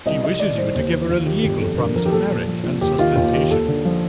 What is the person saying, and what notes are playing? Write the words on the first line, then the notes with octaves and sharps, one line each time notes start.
"She wishes you to give her a legal promise of marriage, and sustentation."
C2 D#5
C3 D#5
D#3 D5
C2 C5
D#2 C5
D#3
D#2 F4
D#3 G4
G1 G4
F2 A4
D3 A#4
F3 A#4
G4
A#1 A4
A#2
F3
A#1
D#2 G4
D#3 F4
D#2 F4
D#3 G4
D#2 A4
D3
F3